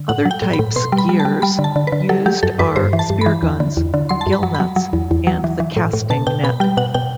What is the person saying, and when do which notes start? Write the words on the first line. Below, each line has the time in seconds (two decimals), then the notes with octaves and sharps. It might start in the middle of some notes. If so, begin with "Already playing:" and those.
Other types gears used are spear guns, gillnets and the casting net.
Already playing: D3
0.09 A2 F#5
0.25 F#3
0.31 G5
0.42 A2
0.53 B5
0.59 A2
0.76 B2 C6
0.92 G3
0.98 B5
1.09 G3
1.20 A5
1.25 G3
1.42 G3 B5
1.59 D3
1.64 A5
1.76 D3
1.87 B4
1.92 D3
2.09 F#3 A4
2.26 F#3 G4
2.43 F#2 A4
2.59 F#2 B4
2.76 G2 C5
2.93 E3
2.99 A5
3.10 G2
3.21 E3 B5
3.43 E2
3.60 D3
3.77 E2
3.94 D3
4.09 F#3 C6
4.21 A5
4.26 F#2
4.33 B5
4.43 F#3
4.55 B5
4.60 F#3
4.76 F#3
4.93 E2
5.11 E2
5.27 F#3
5.44 E3
5.60 E3
5.76 A2
5.93 A2
6.10 B2 A5
6.27 B2 G5
6.44 B2 B5
6.60 G3 G5
6.77 B2 F#5
6.94 B2 G5